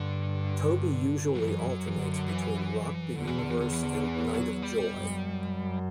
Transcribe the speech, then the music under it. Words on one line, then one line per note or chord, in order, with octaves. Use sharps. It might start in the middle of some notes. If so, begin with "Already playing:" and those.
Toby usually alternates between Rock the Universe and Night of Joy.
Already playing: G2 D3
F#3
F#2 E3
F#3
E3
D3
E3
E2 D3
E3
D3
E3
D3
E3
D3
E3
F#3
G3
F#2